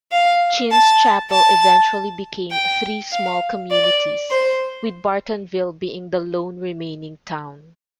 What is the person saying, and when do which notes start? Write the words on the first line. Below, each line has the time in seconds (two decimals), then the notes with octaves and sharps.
Chinn's Chapel eventually became three small communities, with Bartonville being the lone remaining town.
0.12 F5
0.71 A5
1.31 A5
2.51 G5
3.12 F5
3.71 D5
4.31 C5